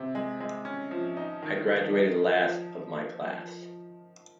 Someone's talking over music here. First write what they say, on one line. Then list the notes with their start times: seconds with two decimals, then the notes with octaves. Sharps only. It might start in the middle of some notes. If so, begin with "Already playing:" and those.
I graduated last of my class.
Already playing: C3
0.15 G#3
0.40 G#3
0.65 C#4
0.91 F3
1.17 D#4
1.42 D#3
1.68 D#3
1.93 D#4
2.19 F3
2.44 F3